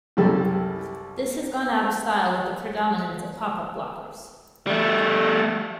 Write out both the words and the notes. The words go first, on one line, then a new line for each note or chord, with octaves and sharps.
This has gone out of style with the predominance of pop-up blockers.
C2 F#2 G3 A4
G3 A3